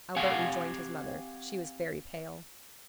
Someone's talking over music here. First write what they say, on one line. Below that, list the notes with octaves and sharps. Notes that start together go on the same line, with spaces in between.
Albert rejoined his mother; she was very pale.
C4 G4 C#5 F5 F#5 G#5